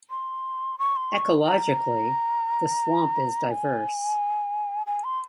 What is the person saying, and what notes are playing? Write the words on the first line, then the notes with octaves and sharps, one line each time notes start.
Ecologically, the swamp is diverse.
C6
C#6
C6
C#6
A#5
G#5
G#5
C6